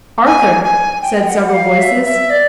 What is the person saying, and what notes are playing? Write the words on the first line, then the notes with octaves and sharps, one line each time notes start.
"Arthur," said several voices.
G#5
G#5
G5
F#5
F#5
F5
E5
E5
D5